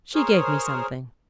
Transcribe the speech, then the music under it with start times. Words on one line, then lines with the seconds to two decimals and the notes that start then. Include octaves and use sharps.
She gave me something.'
0.14 G#4 A#4 C5 C#5